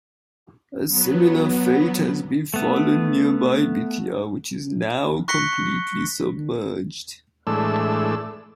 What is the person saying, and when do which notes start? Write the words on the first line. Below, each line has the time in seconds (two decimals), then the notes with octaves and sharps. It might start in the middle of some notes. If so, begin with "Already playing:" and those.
A similar fate has befallen nearby Bithia, which is now completely submerged.
0.88 F#3 B3
2.54 A3 B3
5.28 C#6 F#6 A#6 B6 C#7 G7
7.47 A2 E3 G#3 A3 D4 E6